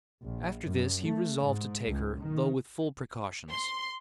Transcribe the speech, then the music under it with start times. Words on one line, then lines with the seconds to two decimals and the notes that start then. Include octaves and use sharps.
After this he resolved to take her, though with full precautions.
0.23 A#1
0.64 F#2
1.05 A3
1.40 G#2
1.86 C#2
2.20 D#3
3.50 C6